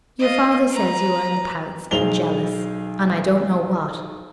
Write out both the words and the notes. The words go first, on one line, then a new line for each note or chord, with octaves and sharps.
Your father says you are in the pouts, and jealous, and I don't know what.
F4 D#5
B4 A#5
B1 G#4 C5 F7 G7